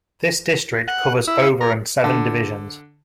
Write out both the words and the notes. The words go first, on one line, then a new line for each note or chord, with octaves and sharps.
This district covers over and seven divisions.
F#5
E4
A#4
D3